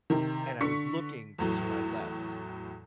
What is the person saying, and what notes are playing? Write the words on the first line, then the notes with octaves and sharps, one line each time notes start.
and I was looking to my left
C3 D#3
D3 C#6 B6 C#7
E2 A2 F#3